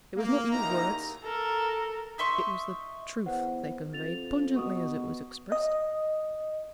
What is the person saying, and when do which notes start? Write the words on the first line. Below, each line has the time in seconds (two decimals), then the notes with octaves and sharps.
'It was not your words; it was the truth they conveyed, pungently as it was expressed.
0.16 A#3
0.52 F#1 D#2 A#3 D#4 E4 A#5
1.24 A4 A#4
2.18 D#4 E5 C6 C#6
3.26 E2 B4 C5 F#5
3.93 F2 A6 F7
4.56 B2 C#6 D#6
5.52 D#5